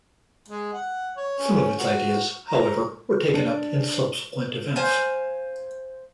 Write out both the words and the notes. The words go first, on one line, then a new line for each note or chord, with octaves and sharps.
Some of its ideas, however, were taken up in subsequent events.
G#3
F#5
C#5
C#4
F#4
A#5
D4
C5 F5 G#5